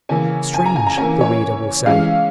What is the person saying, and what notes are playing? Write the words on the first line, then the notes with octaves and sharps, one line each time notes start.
"Strange!" the reader will say.
C#3 E3 A#3 C#4 G#5
G#5
A#5
G#5
A#5
E3 A#3 C#4 G#5
C#5
E3 G#3 C#4 F5